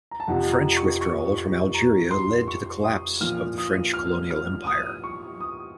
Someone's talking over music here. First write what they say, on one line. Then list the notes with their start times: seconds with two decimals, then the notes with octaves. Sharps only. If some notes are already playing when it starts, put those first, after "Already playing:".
French withdrawal from Algeria led to the collapse of the French colonial empire.
0.11 A#5
0.20 A5
0.27 F2 C3 F3 F#5
0.52 A#5
0.77 C#6
1.01 C#6
1.38 C#6
1.74 A#5
2.11 C6
2.48 C#6
2.84 D#6
3.21 A#2 F3 F6
3.58 D#6
3.94 F6
4.31 F6
4.67 D#6
5.04 C#6
5.41 D#6